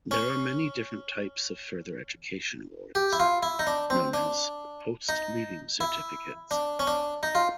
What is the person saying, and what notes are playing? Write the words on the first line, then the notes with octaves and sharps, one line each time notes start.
There are many different types of further education awards, known as Post Leaving Certificates.
C#4
G4
E4
F4
E4
D#4
D4
C4
D4
D#4
E4
D4
C#4
D4
D#4
F4